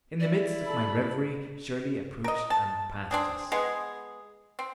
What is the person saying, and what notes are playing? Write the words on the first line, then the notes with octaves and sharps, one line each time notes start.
In the midst of my reverie Shirley approached and passed us.
E4 D5
A4 B5
A#4 D#5
A5
C4 D4 G#4
G#3 B3 G#4
C4